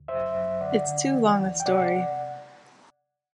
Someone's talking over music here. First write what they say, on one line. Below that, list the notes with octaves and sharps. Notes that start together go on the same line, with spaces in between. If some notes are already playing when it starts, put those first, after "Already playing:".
It's too long a story.
Already playing: D2
F#2 C5 E5
F#2
D3 D5 F#5
D3
E3
E2
G5
C3 D5 F#5